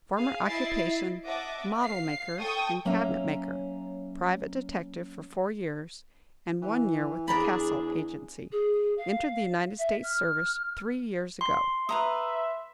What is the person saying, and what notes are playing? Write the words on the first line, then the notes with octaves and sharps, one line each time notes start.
Former occupation, model maker and cabinet maker. Private detective for four years, and one year with the Cassell agency. Entered the United States service three years ago.
G#4 F5
E4 D#5 E5 A6 C7 D7
D#5 E5 F#5 A5 D6
F5 C7
A4 G5 C#6 D#6
F#3 A#3 C#4 E5 A#5
E3
E2 D4 G#4 D5 A#5 B5
G#4
F5
E5
F6
C6
B4 E5 A#5 D#6